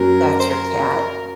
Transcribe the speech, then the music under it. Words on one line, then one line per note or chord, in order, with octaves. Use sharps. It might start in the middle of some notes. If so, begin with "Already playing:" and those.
That's your cat."
Already playing: F#2 F#3 A#4
C5
A#4